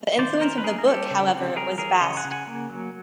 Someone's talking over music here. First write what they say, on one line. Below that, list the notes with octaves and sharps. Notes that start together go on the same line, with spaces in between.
The influence of the book, however, was vast.
D#3 C5 D5
C#4 A#4 C5
B4
A#3 G#4 A#4
A#4
G3 G4 A4
C#3
C4
G3 G#4 A#4
E3 G#4 A#4
C#3 C#5 D#5
F#5 G#5
C#3
F#5 G#5
A#3
F#3